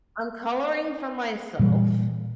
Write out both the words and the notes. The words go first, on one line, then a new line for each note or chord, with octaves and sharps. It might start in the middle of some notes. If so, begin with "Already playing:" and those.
I'm coloring for myself,
A#2 E3 G3